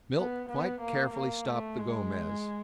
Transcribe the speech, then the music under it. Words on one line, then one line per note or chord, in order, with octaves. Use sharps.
Milt quite carefully stopped the Gomez.
B3
B3
A#3
A#3
A3
G#3